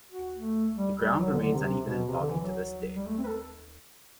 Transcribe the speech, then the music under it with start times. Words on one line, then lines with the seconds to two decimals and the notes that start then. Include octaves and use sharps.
The ground remains uneven and boggy to this day.
0.12 F#4
0.33 A3
0.76 G3
0.99 G3
1.20 F#3
1.31 D3
1.42 D3
1.53 C3
1.64 C3
1.86 B2
2.08 C3
2.19 D3
2.29 E3
2.41 F#3
2.95 G3
3.06 A3
3.17 C4
3.24 B4
3.27 A4